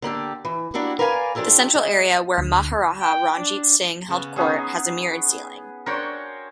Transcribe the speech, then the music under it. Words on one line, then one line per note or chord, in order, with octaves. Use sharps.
The central area, where Maharaja Ranjit Singh held court, has a mirrored ceiling.
D3 A#3 G4 A4
E3
A#3 D4 E4 F#4 G4
A#4 B4 D5 F5 G5 G#5
F3 D4 G4 A4 A#4
G#3
D2
G5
D4
C#3 B3 C#4
B3 C#4 D#4 G#4 C#5
D4 F#4 A#4 C5 C#5 G5